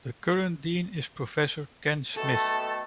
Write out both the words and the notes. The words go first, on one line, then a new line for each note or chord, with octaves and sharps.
The current dean is Professor Ken Smith.
B2 D#3 A3 A4